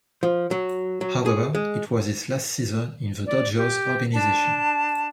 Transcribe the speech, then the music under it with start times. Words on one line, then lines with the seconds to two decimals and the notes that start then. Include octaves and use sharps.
However, it was his last season in the Dodgers organization.
0.23 F3
0.51 F#3
1.01 F#3
1.26 G#4
1.55 G#3
3.26 D5
3.57 G4
4.14 D4 A5